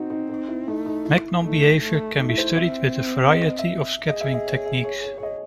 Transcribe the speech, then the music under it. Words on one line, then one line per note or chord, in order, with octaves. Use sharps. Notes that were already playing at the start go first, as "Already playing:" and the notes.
Magnon behavior can be studied with a variety of scattering techniques.
Already playing: C4 D#4 F#4
D#4
D#4
E4
A3 D#4
D#4
E4
A3 D#4
A3
A3 D#4
E4
C5
C4 E5
D#5
D#5
E5
G#4 D#5
E5
D#5
C#5
E5
C#5
C#5
C#5
D#5